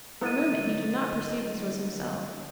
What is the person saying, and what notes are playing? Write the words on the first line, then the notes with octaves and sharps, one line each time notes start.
For a moment he did not perceive this was himself.
D3 F#3 A3 E4 D#5 A#5 A6 D#7